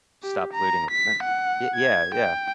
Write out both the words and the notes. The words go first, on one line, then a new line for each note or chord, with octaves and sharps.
stop polluting the planet it Yeah, yeah.
G4
A#5
B6
F#5
G#6
G5